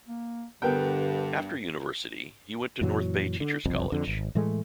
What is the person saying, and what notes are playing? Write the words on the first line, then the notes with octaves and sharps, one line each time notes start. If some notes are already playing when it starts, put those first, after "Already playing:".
After university, he went to North Bay Teacher's College.
A#3
G2 D3 B3 A#4 G5
F#2 A#2 E3 F#3
D3
F#1 C2 F2
F2 D3
G#1
A2 E3 G#3 A3